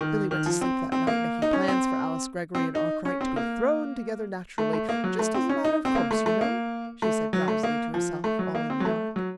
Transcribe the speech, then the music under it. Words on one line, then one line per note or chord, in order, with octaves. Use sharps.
Billy went to sleep that night making plans for Alice Greggory and Arkwright to be thrown together naturally--"just as a matter of course, you know," she said drowsily to herself, all in the dark.
D#3
D#3
F3
C4
C4
A#3
D#4
C#4
C4
C4
D#4
C#4
C4
A#3
A3
A3
A#3
F#3
A3
C4
C#4
D#4
C4
A#3
A3
A3
A#3
A3
F#3
A3
A#3
F3
A3
F#3
A#3
C4
F#3
A3
F#3